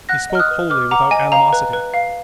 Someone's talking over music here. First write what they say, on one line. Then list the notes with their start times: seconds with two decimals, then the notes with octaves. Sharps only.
He spoke wholly without animosity.
0.09 F#5 F#6 A#6
0.30 D#5
0.35 F6
0.39 D#6 F#6
0.51 B4
0.70 B4 D6 F6
0.91 F#5 A#5 D6
1.11 D#5 G#5
1.32 F5 A#5
1.53 B4
1.73 B4
1.94 F5